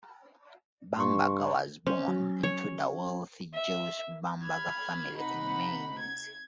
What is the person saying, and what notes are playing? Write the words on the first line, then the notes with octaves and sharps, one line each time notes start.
Bamberger was born into the wealthy Jewish Bamberger family in Mainz.
G2 C6 C#6
C#4 C5
F#3
C#5
E5
B5 F6 G#6
C3 D#4 F#5 B5
G#6